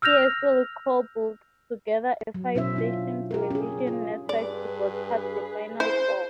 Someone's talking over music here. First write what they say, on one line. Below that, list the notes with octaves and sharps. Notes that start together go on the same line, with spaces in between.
He hastily cobbled together a five-station television network to broadcast the Final Four.
E6 F6 G6 A#6 F7
F#3
B2 C#4 E4 C5 E5
D4 F4
G4 A#4
C#4 G#4
F4
G2 G#4 B4 D5
E4 C5